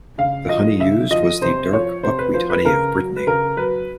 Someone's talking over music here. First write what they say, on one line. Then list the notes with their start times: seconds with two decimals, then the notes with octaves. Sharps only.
The honey used was the dark buckwheat honey of Brittany.
0.18 C#3 F5
0.49 F3 D#5
0.80 C#3 E5
1.11 F3 D#5
1.41 C3 C5
1.73 F3 C#5
2.03 C3 C5
2.19 B4
2.34 F3 C5
2.50 B4
2.65 C#3 A#4
2.96 F#3
3.16 B4
3.27 C#3 A#4
3.57 F#3 B4